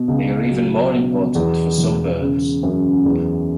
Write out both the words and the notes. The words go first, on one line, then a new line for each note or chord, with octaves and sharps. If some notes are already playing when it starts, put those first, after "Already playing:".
They are even more important for some birds.
Already playing: B2
C#2
F#3
B2
E2
E1
C#3
F#2
E2